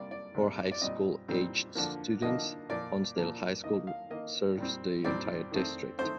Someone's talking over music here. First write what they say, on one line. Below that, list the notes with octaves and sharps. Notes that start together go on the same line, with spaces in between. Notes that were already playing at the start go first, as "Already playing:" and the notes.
For high school-aged students, Honesdale High School serves the entire district.
Already playing: C3 G3 A#3 D5
D5
C3 G3 A#3
D5
A#2 G3 C4 D#5
A#2 G3 C4
D3 F3 A#3
D3 F3 A#3 D#5
A#2 F3 A#3 D5
A#2 F3 A#3
D#3 A#3 D#5
F5
D#3 A#3 D#5
A#2 G3 C4
A#2 G3 C4 D5
D#3 A3 C4
D#3 A3 C4 C5